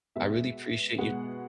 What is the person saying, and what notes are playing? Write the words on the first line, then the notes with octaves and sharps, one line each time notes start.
I really appreciate you
B2 G#3 B3 E5
B2 G#3 B3 F#5